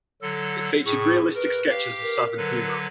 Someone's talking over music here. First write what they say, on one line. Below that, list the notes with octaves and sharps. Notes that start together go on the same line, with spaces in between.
It featured realistic sketches of Southern humor.
D3 F#3 A4
A2 G#4 C#6
A#4 B4
G4 F5
A#4
D3 F#3 B4